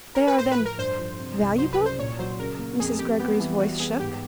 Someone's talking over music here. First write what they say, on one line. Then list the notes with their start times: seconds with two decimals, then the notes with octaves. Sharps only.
"They are, then--valuable?" Mrs. Greggory's voice shook.
0.15 A#4
0.27 B4
0.38 A2 C5
0.51 B4
0.58 F3
0.66 A#4
0.78 G2 C5
0.98 F3
1.19 C3
1.38 C2
1.58 F#3 C5
1.73 B4
1.79 C#3
1.86 C5
1.98 A#2 C#5
2.19 F#3 C5
2.39 C#3 A#4
2.59 A#3
2.79 F2 G#4
2.99 F2 G4
3.19 B3 G4
3.40 E3
3.59 G3 F#4
3.79 B3 G#4
4.00 G#2 G4